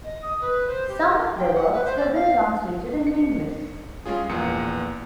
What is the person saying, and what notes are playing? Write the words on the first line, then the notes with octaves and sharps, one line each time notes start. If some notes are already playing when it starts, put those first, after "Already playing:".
Some of their works have been translated into English.
D#5
D#6
B4
C5
G4
F4
G5
F#5
B4
C5
D5
F5
C#7
G3 G#3 C#4 F4 G#4
A#1 E2 A#3 F4 C#7